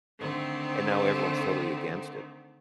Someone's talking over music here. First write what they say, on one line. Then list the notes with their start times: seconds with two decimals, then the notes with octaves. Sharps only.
and now everyone's totally against it.
0.20 D3 D#3 A3 C4